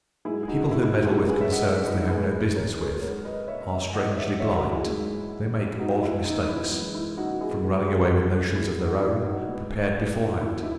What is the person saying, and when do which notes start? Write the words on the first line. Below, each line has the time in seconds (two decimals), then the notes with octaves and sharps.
People who meddle with concerns they have no business with, are strangely blind,--they make odd mistakes, from running away with notions of their own, prepared beforehand.
0.25 G#2 F#3 E4 G#4
0.43 G#4
0.48 D#4 F#4
0.71 E4
0.82 E4
0.94 D#4 F#4
1.05 E4 G#4
1.17 F#2 D#3 G#3 F#4 A#4
1.29 G#4 B4
1.40 C#5 E5
1.52 D#5 F#5
1.63 C#5 E5
1.75 B4 D#5
1.87 E4
1.98 D#4
2.09 B2 G#3 G#4 B4
2.56 A#4 C#5
2.79 G#4 B4
3.02 G#2 F#3 A#4 C#5
3.25 B4 D#5
3.48 C#5 E5
3.71 C#5 E5
3.94 E2 D#3 G#3 D#5 F#5
4.17 C#5 E5
4.40 C#5 E5
4.55 F#4 A#4
4.72 E4 G#4
4.86 G#2 F#3
5.79 B2 G#3 D#4 F#4
6.03 E4
6.26 D#4
6.49 E4
6.72 F#2 E3 G#3
6.95 E4
7.17 D#4 F#4
7.41 E4 G#4
7.63 G#2 E3 G#3 F#4 A#4
7.75 G#4 B4
7.87 G#4 B4
7.98 F#4 A#4
8.56 F#2 D#3 F#3 E4 G#4
8.79 D#4 F#4
9.02 E4
9.25 D#4 F#4
9.48 B2 G#3
10.41 A#2 F#3 E4
10.63 E4